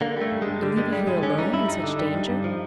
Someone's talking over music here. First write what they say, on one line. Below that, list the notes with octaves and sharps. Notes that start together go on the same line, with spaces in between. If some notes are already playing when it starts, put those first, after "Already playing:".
"And leave you here alone--in such danger?"
D3 A#3
G3 A3
G2
G2 G#3
D3 G3
G3 G#3
G2 G3
G2 G#3
D3 C#4
G3 D#4
G2 E4
G2 D#4
D3
G3
G2
G2
F3